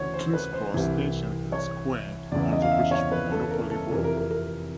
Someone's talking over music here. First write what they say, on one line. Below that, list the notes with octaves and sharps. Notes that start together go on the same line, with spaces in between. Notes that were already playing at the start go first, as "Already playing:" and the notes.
King's Cross station is a square on the British "Monopoly" board.
Already playing: D2 C#3 E3 C#5
C5
B4
C5
C2 C3 E3
C#5
E2 C#3 E3 D5
D#5
F5
E5
C#5
B4
A4
A#4
A4
F2 C3 E3 A#4
A#4
A#4
A#4